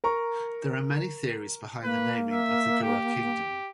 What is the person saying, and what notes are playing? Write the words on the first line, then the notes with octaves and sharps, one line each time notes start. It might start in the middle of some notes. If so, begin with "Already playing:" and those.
There are many theories behind the naming of the Gour kingdom.
A#4 A#5 C#6
A#3 B4
E5
G4